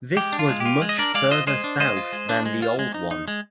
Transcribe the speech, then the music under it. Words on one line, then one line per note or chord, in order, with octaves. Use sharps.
This was much further south than the old one.
G#3 G4
D4
F4
G#3
G4
F4
G#3
D#5
D4 A#4 D5
G#3 D5 F5
F4 C5 D#5
G#3 C5 D#5
D4
G#3 C5 D#5
F4
G#3
D4
G#3
F4
G#3
D#4
D#4
G#3